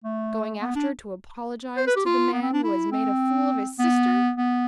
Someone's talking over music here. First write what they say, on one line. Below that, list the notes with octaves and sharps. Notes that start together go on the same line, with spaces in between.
Going after to apologise to the man who has made a fool of his sister!
A3
B3
D4
C5
B4
G4
F4
B3
C4
D4
E4
C4
B3
B3